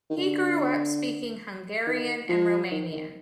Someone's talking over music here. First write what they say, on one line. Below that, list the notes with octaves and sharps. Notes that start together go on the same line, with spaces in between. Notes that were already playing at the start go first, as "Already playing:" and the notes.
He grew up speaking Hungarian and Romanian.
D#3
D3
D#3
F3
D#3
D#3